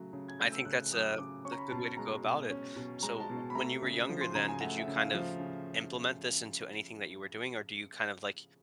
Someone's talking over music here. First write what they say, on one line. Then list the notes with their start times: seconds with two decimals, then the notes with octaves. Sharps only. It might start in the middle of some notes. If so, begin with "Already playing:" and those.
I think that's a a good way to go about it. So, when you were younger then, did you kind of, implement this into anything that you were doing, or do you kind of, like,
Already playing: C#3 F#3 A3
0.13 C#3
0.28 G#6
0.39 A3 G6
0.52 E6
0.65 C#3 F#6
0.92 F#3 D#6
1.18 C#3 D6
1.45 C#4 C#6
1.52 A#5
1.57 B5
1.71 B2 A5
1.97 G#3 A#5
2.24 B2
2.50 C#4
2.76 B2
3.02 G#3 A#5
3.20 A5
3.30 B2
3.50 B5
3.55 A3 A#5
3.82 C#3
4.09 F3
4.21 C6
4.35 C#3 A#5
4.48 G#5
4.61 A3 F#5
4.79 E5
4.88 C#3
4.96 F5
5.13 F3
5.40 C#3